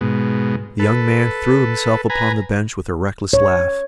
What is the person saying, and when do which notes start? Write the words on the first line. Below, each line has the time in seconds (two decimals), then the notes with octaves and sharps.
The young man threw himself upon the bench with a reckless laugh.
0.01 G#2 B2
0.79 A4 B4
2.10 B4 G#5 A#5
3.33 C#5